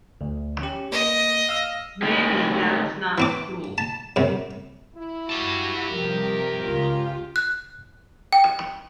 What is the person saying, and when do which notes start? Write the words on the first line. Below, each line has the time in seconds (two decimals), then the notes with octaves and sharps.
Maybe that's not cool.
0.21 D2
0.61 C#4 G4
0.92 A#3 D#5
1.49 F5 E6 F6
2.03 A2 D#3 G#3 G4
3.18 E3 C4 D6
3.78 A5
4.16 F#2 C3
4.96 E4
5.30 F#4 G4 A5
5.91 C3 D#3 F3 G3 A#4
6.63 C#2 F4
7.36 F#6
8.33 G5